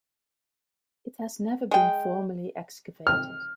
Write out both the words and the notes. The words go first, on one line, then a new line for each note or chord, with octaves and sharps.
It has never been formally excavated.
G#3 G5
F6